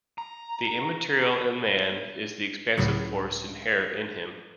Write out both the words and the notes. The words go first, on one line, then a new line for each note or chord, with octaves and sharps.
The immaterial in man is the expansive force inherent in him.
A#5
C#2 A2 C#3 F#3